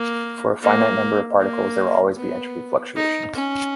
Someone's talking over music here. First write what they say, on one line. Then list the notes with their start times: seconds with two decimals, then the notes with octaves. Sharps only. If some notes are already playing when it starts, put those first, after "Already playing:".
For a finite number of particles, there will always be entropy fluctuations.
Already playing: A#3
0.62 A#3
1.41 A#3
2.18 B3
2.96 D#4
3.34 C#4